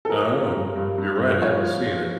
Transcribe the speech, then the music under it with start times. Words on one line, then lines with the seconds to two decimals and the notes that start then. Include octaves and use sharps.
Oh, you're right, I haven't seen it.
0.05 A4
0.09 F3 A#4
0.32 F3
0.54 G2
0.76 G2
0.98 G2
1.20 F3
1.42 F3 C#5
1.63 F3
1.86 F3